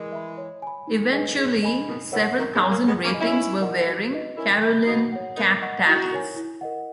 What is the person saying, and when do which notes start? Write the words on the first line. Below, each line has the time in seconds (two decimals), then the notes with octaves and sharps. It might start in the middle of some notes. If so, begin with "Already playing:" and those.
Eventually several thousand ratings were wearing "Caroline" cap tallies.
Already playing: E3 G#3 A#4
0.12 E5 B5
0.38 C#5
0.62 G#5 B5
0.87 D#4
1.12 G#4 B4 D#5 G#5
1.38 G#4
1.63 D#5 G#5 B5
1.88 B2 D#3 D#4
2.12 C#3 E3 A#4 C#5 F#5
2.37 D#3 F#3 A#4
2.54 E3 G#3
2.63 C#5 G#5 C#6
2.70 F#3 A#3
2.87 G#3 B3 G#4
3.04 A#3 C#4
3.12 D#5 G#5 B5
3.20 C#4 E4
3.37 D#4
3.61 A#4 D#5 F#5
3.87 F#4
4.12 B4 D#5
4.37 C#4 E4 A#4
4.62 E5 B5
4.87 B3 D#4 F#4
5.12 C#5 F#5
5.36 B3 D#4 A#4
5.62 D#5 F#5 C#6
5.86 D#4 E4 F#4
6.12 A#4 C#5 G#5
6.36 E4
6.61 A#4 D#5 F#5